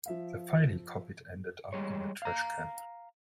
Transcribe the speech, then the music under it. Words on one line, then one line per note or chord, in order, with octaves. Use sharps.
The file he copied ended up in the trash can.
F3 E5 F5
G3 G#3 C#5
F5 A#5